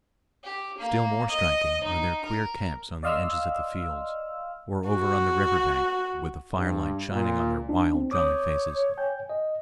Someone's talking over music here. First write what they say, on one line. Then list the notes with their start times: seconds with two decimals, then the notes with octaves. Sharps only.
Still more striking are their queer camps on the edges of the fields or over on the river bank, with the firelight shining on their wild jolly faces.
0.43 G4
0.78 A#3
1.30 D#5
1.84 D#4
2.25 A#4
3.03 D5 D#5 F5 C6 E6 F6
4.89 F#4
6.57 G2
7.11 A#2
7.69 D4 D#4
7.94 C4
8.11 C#5 D6 D#6 G6
8.98 G5 G#5 G6
9.30 D#5